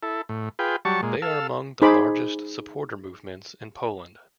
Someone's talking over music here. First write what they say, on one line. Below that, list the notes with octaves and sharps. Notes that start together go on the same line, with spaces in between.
They are among the largest supporter movements in Poland.
E4 A4
A2
F4 G#4 B4 G5
F#3 G3 A5 C#6
A#2 G#3
A4 F5 E6
D#4 G#4 C5 B5 D6